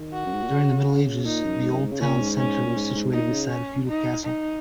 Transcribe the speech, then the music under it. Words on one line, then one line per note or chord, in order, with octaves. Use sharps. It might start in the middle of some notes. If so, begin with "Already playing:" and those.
During the Middle Ages the old town centre was situated beside a feudal castle.
Already playing: D#3
F#4
F#2
G#2
A#2
C#3
A#2 D#4
F#2
G#2
F#2
G#2
C#3
A#2 C#4
G#2
C#4
A#2
G#2
G#2
A#2 D#4
C#3
C#4
D#4
D#4